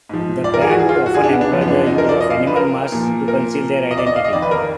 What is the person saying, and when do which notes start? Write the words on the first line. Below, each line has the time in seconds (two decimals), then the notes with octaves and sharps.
The band would often employ the use of animal masks to conceal their identity.
0.09 G#2 F3
0.44 D5
0.54 A#4
0.61 G#4
0.71 F#4
0.79 G#4
0.89 F4
1.06 F#4
1.15 G#4
1.24 D4
1.33 B3
1.41 D4
1.51 F#2 F3 B3
1.61 B3
1.68 D4
1.86 D#4
1.98 A#4
2.09 D5
2.21 D#5
2.30 F5
2.47 B4
2.56 A#4
2.92 A#2 F3
3.28 A#4
3.91 D#5
3.98 D5
4.07 D#5
4.16 F5
4.24 D#5
4.33 F2 D#3 D5
4.42 B4
4.51 A#4